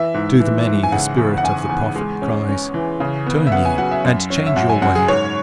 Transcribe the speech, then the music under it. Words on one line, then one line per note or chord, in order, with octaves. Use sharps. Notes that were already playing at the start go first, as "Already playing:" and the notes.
To the many, the spirit of the prophet cries, 'Turn ye, and change your way!
Already playing: E3 E5
G#2
E3
G#2
G#5
C#3 F#5
E2
F#5
C#3 G#5
E2
G#3
C#4
C#4
E3
C#3
B3
E5
B3 F#5
G#5
F#3 F#5
E5
F#2
C#4
E5
F#2 F#5
G#5
F#2 F#5
G#4
G#2 C#5